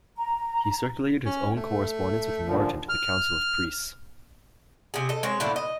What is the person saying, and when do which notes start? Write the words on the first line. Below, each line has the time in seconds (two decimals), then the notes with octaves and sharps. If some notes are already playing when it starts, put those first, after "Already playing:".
He circulated his own correspondence with Martin to the Council of Priests.
0.17 A#5
1.26 C#4
1.56 A3
2.45 A#2 D3 F3
2.89 F6
4.94 C3 G#4
5.09 A4 D#5
5.23 G#3 C4 C#5
5.40 A2 D3 A#3 E4
5.56 D#5